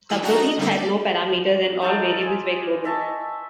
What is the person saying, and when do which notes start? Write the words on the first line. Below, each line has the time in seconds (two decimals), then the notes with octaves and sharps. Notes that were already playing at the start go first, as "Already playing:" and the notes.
Subroutines had no parameters and all variables were global.
0.09 E3 A3 G#4 E6
0.22 D4 D#4 F#4 A#5
0.42 D#5
0.58 D3 G3 A3 A#3 D#4 E4
0.71 D5
1.82 D#4 F4 A4 D5
2.22 G#4
2.84 D#5 E5 A5 C#6